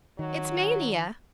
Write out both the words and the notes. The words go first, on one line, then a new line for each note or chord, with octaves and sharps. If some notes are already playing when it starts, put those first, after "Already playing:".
It's mania.
D#3 F#3